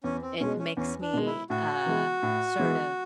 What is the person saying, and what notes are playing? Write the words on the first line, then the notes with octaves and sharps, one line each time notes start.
It makes me, uh, sort of
E2 C#4
C4
B2 G#3 C#4
C#4
E2 C#4
D4
B2 G#3
E4
A2 F#4
E3 G#3 B3
A2
E3 G#3 B3